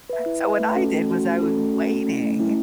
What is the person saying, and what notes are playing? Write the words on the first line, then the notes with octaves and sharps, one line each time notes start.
So what I did was, I was waiting;
B4 E5
E4
B4 E5
A3
C#4 F#4 A4
A3
C#4 F#4 A4
A3
C#4 F#4 A4
A3
C#4 F#4 A4
A3
C#4 E4
A3
C#4 E4